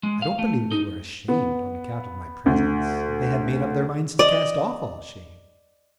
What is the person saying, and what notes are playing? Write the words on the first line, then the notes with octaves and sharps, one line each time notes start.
I don't believe they were ashamed on account of my presence: they had made up their minds to cast off all shame!
G#3
F5
A3
D#4
B3
D2
D5 D#5